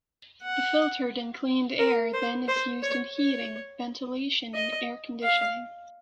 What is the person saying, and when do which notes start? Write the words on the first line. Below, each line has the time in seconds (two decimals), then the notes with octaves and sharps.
The filtered and cleaned air then is used in heating, ventilation and air conditioning.
0.43 F#5
1.79 A#4
2.13 C5
2.48 C5
2.82 C#5
3.17 C#5
4.54 D#5
5.23 F5